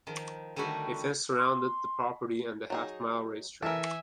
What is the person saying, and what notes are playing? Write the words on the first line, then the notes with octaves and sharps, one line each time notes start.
A fence surrounded the property and the half-mile racetrack.
D#3 F3
D3 D#3 G3 A3 F#4 G4
C6
F#3 D#4 G#4
E3 A4 A#4 E5 G#5